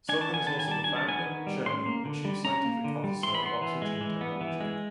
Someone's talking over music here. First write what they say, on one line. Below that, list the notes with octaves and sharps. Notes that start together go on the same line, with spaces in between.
Southern is also the Founder, Chairman and chief scientific officer of Oxford Gene Technology.
D4 G#5
A5
B3 G#5
D#3 A5
G#5
G3 A5
D4 G#5
A5
B3 G#5
D#3
G3
C#4 C6
A#3
D3
G3
C#4 A#5
A#3
D3
G3
E3 C6
B5
B3 C6
E3
G#3
E3
B3
E3
G#3